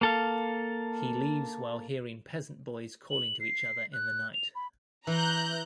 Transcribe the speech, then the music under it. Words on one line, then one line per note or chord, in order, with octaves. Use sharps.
He leaves while hearing peasant boys calling to each other in the night.
A#3 A4 F5
F#7
C7
F#6
F7
B5
E3 A#5 F#6 G6